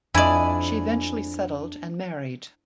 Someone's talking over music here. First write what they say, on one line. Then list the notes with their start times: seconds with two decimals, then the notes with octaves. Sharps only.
She eventually settled and married.
0.15 F2 D4 E4 D5 D#5 G#5